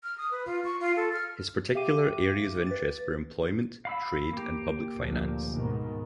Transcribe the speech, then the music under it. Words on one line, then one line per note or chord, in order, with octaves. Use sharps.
His particular areas of interest were employment, trade and public finance.
F6
D#6
B4
F4
C#6
F4
A4
F6
G4 E5 F5 G5 D6 D#7
B4 A6
F5 B5 E6
A#3 G4
D2 A#2 F3
G#2 B2 D#3